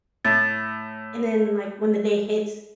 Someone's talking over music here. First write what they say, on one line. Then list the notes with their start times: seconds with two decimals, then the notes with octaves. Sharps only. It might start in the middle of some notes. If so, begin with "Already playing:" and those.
and then, like, when the day hits
0.25 A2 A6